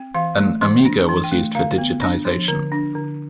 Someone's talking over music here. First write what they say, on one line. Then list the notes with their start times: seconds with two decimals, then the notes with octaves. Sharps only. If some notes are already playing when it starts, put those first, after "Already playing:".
An Amiga was used for digitisation.
Already playing: C4
0.14 E3 F5
0.38 A3
0.61 E3 C6
0.85 D4
1.09 E3
1.24 G5
1.31 A3
1.55 D3 F5
1.78 B3
2.01 D4
2.25 F3
2.48 D3
2.72 D4
2.95 D3